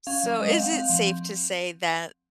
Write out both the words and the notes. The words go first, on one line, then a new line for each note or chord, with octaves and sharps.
So is it safe to say that
C#4 F5
F#3
G#3 D#5
F5
C4
F#5
C4 F5
F3
C4